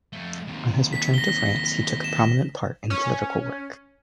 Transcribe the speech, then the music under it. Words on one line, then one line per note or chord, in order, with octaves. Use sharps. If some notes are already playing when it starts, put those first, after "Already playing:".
On his return to France he took a prominent part in political work.
F2 A3
D#2 C3
B6
A#6 G7
E7
C#4